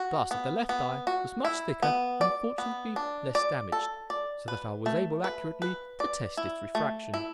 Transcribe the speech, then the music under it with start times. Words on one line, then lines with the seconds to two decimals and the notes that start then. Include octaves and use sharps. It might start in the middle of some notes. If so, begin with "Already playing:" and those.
The glass of the left eye was much thicker and fortunately less damaged, so that I was able accurately to test its refraction.
Already playing: F#4
0.31 B3
0.69 B3
1.07 F#4
1.45 E4
1.82 B3
2.21 D5
2.58 B3
2.96 D4
3.35 D5
3.72 A4
4.10 D5
4.48 B4
4.86 A3
5.24 B4
5.62 B4
6.00 D5
6.37 E4
6.75 A3
7.14 E4